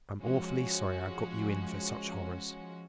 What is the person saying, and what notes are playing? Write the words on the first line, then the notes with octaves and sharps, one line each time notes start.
I'm awfully sorry I got you in for such horrors.
F3 G#3 C#4 F#4